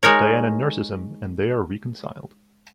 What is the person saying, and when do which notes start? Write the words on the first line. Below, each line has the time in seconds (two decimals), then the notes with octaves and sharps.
Diana nurses him and they are reconciled.
0.03 G#3 D#4 A#4 C#5